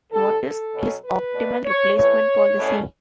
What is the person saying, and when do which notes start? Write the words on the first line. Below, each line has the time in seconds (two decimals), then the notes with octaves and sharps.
What is his optimal replacement policy?
0.12 D2 D3 G3 A4
0.43 A4
0.73 B2 F#3 C#4
1.04 B4
1.34 B2 A3 D4
1.65 C#5
1.95 A2 E3 A3 C#5
2.57 E2 B2 A3 C#4